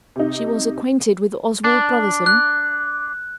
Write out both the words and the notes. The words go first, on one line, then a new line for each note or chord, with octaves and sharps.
"She was acquainted with Oswald Brotherson?"
C3 D#4
D4
F#6